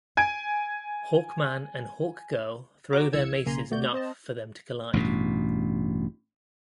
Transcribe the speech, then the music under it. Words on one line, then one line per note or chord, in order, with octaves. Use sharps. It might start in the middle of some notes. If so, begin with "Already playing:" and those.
Hawkman and Hawkgirl throw their maces enough for them to collide.
G#5 G#6 D7
F#4 A#5 D6
C2 E3 E6 G#6 C#7
B1 C#3 A#3 G#5 A#5 C6
D2 A3 F#4 D5 G6
C4 C5 D#5 A5
A1 G2 B2